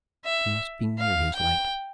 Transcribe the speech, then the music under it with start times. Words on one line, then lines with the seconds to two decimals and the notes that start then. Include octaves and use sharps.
He must be near his light.
0.25 E5
0.98 F5
1.35 G5